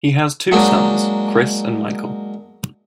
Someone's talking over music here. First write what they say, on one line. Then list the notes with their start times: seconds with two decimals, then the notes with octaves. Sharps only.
He has two sons, Chris and Michael.
0.52 F#3 G#3 A#3 D4 D#4 F#4